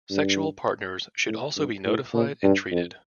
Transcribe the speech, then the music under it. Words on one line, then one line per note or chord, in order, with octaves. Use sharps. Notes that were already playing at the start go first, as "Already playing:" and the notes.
Sexual partners should also be notified and treated.
G2
A2
G2
A2
A#2
G2
F2